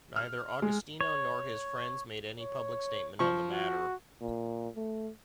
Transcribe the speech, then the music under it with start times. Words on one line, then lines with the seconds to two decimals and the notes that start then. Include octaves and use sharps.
Neither Agostino nor his friends made any public statement on the matter.
0.16 F6
0.62 G#3
1.01 C#5
2.37 C#5
3.19 F3 C#6
3.51 F#4
4.21 A#2
4.76 A3